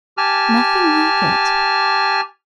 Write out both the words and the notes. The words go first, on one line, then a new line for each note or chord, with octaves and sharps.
Nothing like it.
G4 G#5 A5 F6